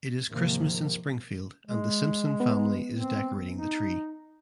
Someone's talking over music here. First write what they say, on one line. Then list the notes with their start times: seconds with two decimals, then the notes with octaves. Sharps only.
It is Christmas in Springfield and the Simpson family is decorating the tree.
0.29 G#2 C3 D#3 F3 A#3
1.67 G#3
2.40 B3
2.94 C4
3.55 D#4